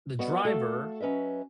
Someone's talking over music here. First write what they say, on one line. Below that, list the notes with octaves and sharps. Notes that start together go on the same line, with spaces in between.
the driver,
G3 B3 F#4 B4 D#5 F#5
A3 F#4 A4 F5
F#3 C#4 B4 D#5 E5